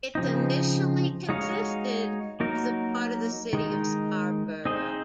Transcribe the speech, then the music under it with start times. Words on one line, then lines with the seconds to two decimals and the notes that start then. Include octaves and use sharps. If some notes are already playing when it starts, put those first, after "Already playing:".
It initially consisted of the part of the City of Scarborough.
0.15 C#3 F3 C4 D#4
1.29 G#3 D#4 F#4 C#5 F5
2.40 F#3 A#3 D#4 F#4 A#4
3.53 D#3 G#3 D#4
4.65 C4 D#4 G#4 C5 D#5